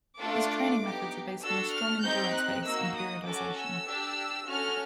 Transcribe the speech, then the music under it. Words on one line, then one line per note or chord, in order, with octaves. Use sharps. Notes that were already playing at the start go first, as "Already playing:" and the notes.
His training methods are based on a strong endurance base and periodisation.
A3 D4 F4 A4 D6
B3 D#4 G4
D4 F#4 A4 E6
F6
C4 D#4 G4 G6
F#6
A#3 D#4 F#4 E6
D#6
C#4 F#4 A4 D6
E6
D4 G4
C#4 F#4 A4 F6